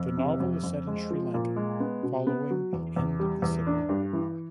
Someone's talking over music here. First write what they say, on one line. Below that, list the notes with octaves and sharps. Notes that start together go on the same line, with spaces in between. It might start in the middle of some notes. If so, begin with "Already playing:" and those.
The novel is set in Sri Lanka following the end of the Civil War.
Already playing: F2
C3
F2
F2
G#3
F3
A#2
G#3
B3
B2
B3
F#3
E2
E2
G3
E2
D4
G2
E3